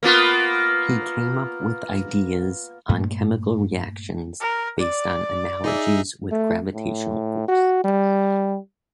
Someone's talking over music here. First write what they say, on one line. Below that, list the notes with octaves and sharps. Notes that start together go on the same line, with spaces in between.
He came up with ideas on chemical reactions based on analogies with gravitational force.
A#3 B3 F4
G2 A#2 A3
A#4
D5
D#4 G#4 E5
A3
A2
F#4
G3